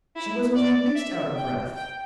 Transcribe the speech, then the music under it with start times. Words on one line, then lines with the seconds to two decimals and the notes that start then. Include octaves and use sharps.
She wasn't in the least out of breath.
0.16 E4
0.56 D5
0.95 E5
1.35 G5
1.75 G5